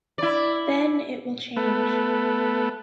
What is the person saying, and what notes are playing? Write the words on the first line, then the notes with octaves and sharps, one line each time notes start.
Then it will change.
E4 D5
A3 B3